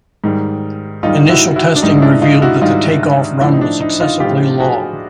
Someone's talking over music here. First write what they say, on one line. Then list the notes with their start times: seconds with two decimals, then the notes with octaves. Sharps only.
Initial testing revealed that the takeoff run was excessively long.
0.24 G#2 D#3 G3
1.03 G#2 D#3 G3 D#4 F4
1.29 E4 F#4
1.56 E4 F#4
1.76 D4
1.82 G#2 D#3 G3 D#4
2.02 D4 E4
2.22 D#4 F4
2.42 E4 F#4
2.61 G#2 D#3 G3 D#4 F4
3.41 A2 F3 D4 E4
3.52 D#4
3.61 D4
3.81 D#4
4.00 D#4 F4
4.20 A2 F3 F4 G4
4.60 F#4 G#4